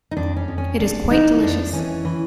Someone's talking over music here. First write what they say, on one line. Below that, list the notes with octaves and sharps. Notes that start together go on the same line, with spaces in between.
It is quite delicious!
D#4
F2 D4
C#4
F2
C#4
C3 D4
E3 D#4
F2 D4
E3 C#4
E3